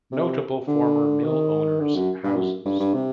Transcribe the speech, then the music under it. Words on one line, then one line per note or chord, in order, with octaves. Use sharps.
Notable former mill owners' houses.
C3
D3
D#3
D3
F#2
G2
F#2
G2
G2
C3